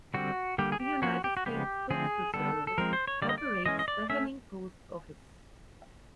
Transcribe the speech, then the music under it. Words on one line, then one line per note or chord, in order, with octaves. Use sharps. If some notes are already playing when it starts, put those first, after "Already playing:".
The United States Postal Service operates the Henning Post Office.
D3 G3 C4 F#4
D3 G3 A#3 G4
G#4
G4
F3 A#3 C#4 F#4
G4
F#4
C#3 F3 G#3 B3 G4
D3 F3 A3 C4 G#4
D3 G3 B3 A4
A4
F3 G#3 C4 A#4
C5
C#5
D3 G3 A#3 D5
D#5
D5
E3 G#3 C#4 D#5
D#5
D5
A3 C#4 E5